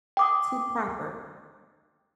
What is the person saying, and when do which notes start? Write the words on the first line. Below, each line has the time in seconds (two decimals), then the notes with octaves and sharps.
too proper
0.17 G5 D6 D#6